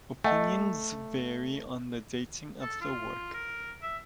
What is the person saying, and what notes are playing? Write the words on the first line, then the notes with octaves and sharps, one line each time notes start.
Opinions vary on the dating of the work.
A3 D#5 F#5 G#5
A4
F4
A#4
E5